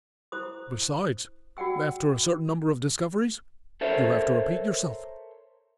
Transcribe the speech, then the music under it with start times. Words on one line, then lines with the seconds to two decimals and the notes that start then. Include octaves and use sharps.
Besides, after a certain number of discoveries, you have to repeat yourself.
0.32 E4 C5 D#6
1.57 F#4 D5 F#5 G5 E6
3.81 A4 A#4 C5 C#5 E5